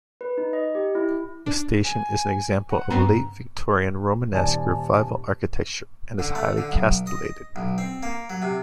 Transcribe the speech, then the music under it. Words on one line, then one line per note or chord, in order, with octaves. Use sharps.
The station is an example of late-Victorian Romanesque Revival architecture and is highly castellated.
B4
D#4
D#5
G4
E4
D4
G#5
F#5
G2 B3 C4 A#5
D#1 D#3 D5 G#5 A5
D3
A3
D3
B1
D#5
B1
C4
A#3
F#3
C3